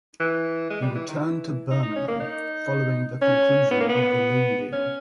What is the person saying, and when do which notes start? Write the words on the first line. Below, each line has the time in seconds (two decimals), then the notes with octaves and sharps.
He returned to Birmingham following the conclusion of the loan deal.
0.20 E3
0.70 G#3
0.82 G3
0.95 E3
1.08 D#3
1.20 E3
1.70 D#4
1.83 D#4
1.96 C#4
2.08 A#3
2.20 D#4
3.21 C#4
3.71 B3
3.80 A#3
3.89 B3
4.73 C#4